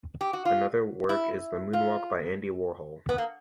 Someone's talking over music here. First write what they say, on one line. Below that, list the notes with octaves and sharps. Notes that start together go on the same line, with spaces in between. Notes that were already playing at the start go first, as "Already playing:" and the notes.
Another work is the "Moonwalk" by Andy Warhol.
G4
F#4
F4
E4
F4
B3
A#3